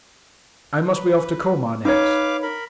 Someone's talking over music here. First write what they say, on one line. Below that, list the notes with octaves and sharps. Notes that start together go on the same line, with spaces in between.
'I must be off to Colmar next.'
B4
D#4 B4 C#5 F5 D6
A#4 B5